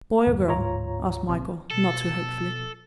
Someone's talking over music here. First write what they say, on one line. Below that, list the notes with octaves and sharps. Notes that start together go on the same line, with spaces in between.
"Boy or girl?" asked Michael, not too hopefully.
F#1 D#2 A2
D1 G#2 F4 C#5 A#5
A#1 C3
B2 A4